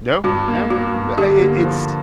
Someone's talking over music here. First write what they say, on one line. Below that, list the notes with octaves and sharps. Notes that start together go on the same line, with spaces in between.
No, no. But, I I it it's
G2 F#4
A#3
A#3 F#4
G2
D3 G4
A#3
F3